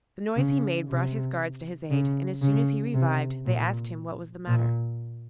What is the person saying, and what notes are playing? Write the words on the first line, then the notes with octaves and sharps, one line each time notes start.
The noise he made brought his guards to his aid, and as soon as he revived they asked him what was the matter.
C#3
C3
C#3
C#3
C3
A#2
A#2